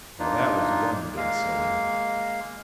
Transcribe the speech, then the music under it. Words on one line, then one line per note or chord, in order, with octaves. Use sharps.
Well, that was one big silly.
A#3 D4 D#4 F4
G#3 A#3 F5